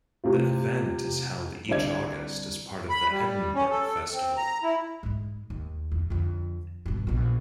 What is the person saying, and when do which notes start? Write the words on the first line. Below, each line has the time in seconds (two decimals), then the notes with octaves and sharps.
The event is held each August as part of the Edinburgh Festival.
0.24 C3 A3 F4
1.69 C2 D3 D4 D5 G#6
2.90 B5
3.11 G3
3.55 C#4
3.70 A4
4.13 C4
4.37 A#5
4.63 E4
5.03 G#2 G#3
5.50 D#2
5.92 E2
6.10 F2 D3
6.86 G2 B2
7.07 A#1 B2